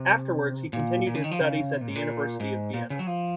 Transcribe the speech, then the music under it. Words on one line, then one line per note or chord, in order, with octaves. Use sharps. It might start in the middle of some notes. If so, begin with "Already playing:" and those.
Afterwards he continued his studies at the University of Vienna.
Already playing: C3
A#2
A#2
C#3
D#3
F3
C#3
C3
A#2
G#2
A#2
G#2
A#2
C#3
F#3
F3